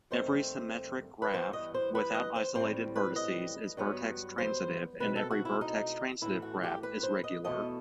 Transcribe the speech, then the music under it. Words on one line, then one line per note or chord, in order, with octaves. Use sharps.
Every symmetric graph without isolated vertices is vertex-transitive, and every vertex-transitive graph is regular.
G2 D#3 A3 C4 C5
B4
G2 E3 B3 C5
D#5
C5
B4
D#5
C5
A2 G3 C4 C5
B4
D#5
G2 F#3 B3
C5
B2 A3 C4 B4
A4
F#4
E4
D#4
A2 E3 A3 E4
F#4
G4
B4
C5
D#5
E2 B2 A3 D#5